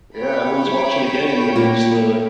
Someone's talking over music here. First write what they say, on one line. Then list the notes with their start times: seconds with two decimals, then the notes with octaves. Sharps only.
Yeah, everyone's watching the game, and then you're just, uh,
0.16 C#5 G5 B5
1.56 A#2 A#3